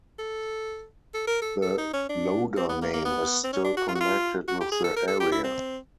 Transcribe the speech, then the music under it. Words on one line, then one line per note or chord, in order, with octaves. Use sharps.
The Loder name is still connected with the area.
A4
A4
A#4
A4
A4
D#4
C#4
D4
C4
B3
A#3
A#3
B3
C4
C#4
D4
F#4
F4
F#4
F4
F#4
G4
G#4
A4
A#4
A4
G4
E4
C4